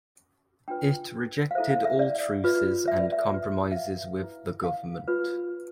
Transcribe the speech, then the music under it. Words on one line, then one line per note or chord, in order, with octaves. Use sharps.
It rejected all truces and compromises with the government.
D4 F4 B4 G5
F5
E4 A4 C5 E5
F5
E5
D5
F4 B4
E5
D5
E5
F4 B4
E5
F5
E4 B4
F5
F4 B4